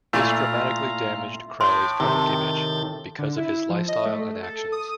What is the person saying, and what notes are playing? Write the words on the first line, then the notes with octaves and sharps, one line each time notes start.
This dramatically damaged Crowley's public image, because of his lifestyle and actions.
A#2 A3 E4 F4 F5 A#5
A2 C6 D6
C3 D#3 G6 A6
D3
E4
F3
D#5
A3
A4
D#6